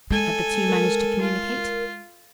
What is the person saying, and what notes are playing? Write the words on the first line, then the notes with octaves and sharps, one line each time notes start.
Had the two managed to communicate?
G#3 A4 G#5
A#4
F4